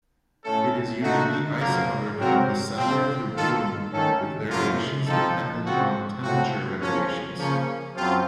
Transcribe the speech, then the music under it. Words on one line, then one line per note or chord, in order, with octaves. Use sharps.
It is usually ice-covered from December through June, with variations dependent on temperature variations.
A2 A3 C#4 A4
A#2 A3 D#4 F#4
F#2 F3 A#3
C3 F#3 C4 F#4 A#4
C3 F3 C4
D#3 A#3 F4 A4
D#3 A3 C#4 A4
F#2 C#3 F3 A#3 F4
F3 C4 D#4 A4
C#3 F3 C4 F#4 A4
A2 F3 C4 F#4
F3 A#3 C#4
C#3 F3 A#3 C#4
F#2 F3 C4 F4